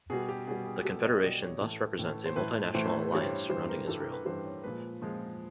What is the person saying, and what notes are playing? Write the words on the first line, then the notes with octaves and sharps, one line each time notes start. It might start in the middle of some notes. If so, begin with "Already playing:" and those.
The confederation thus represents a multinational alliance surrounding Israel.
B2 G3 G#4
G4
B2 G3 G#4
G#4
B2 G3 A4
D#5
D#5
B2 G3 D5
C#5
A2 E3 A3
A2 E3 A3
C5
A2 E3 A3 B4
A2 E3 A3 C5
G2 E3 G3 C#5
C5
C#5
G2 E3 G3 C5
A#4
G2 E3 G3 A4
A#4
B4
G2 E3 G3 C5
C#5
A#2 F3 G#3 B4
A#2 F3 G#3